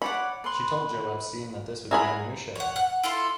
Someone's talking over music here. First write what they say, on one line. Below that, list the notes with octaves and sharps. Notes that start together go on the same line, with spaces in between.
She told Joe Epstein that this would be her new show.
C#5 D5 F#5 B5
B4 C6
E4 G#4 A#4 F#5 B5
C#5 F#5
F#5
E4 F4 A4 C6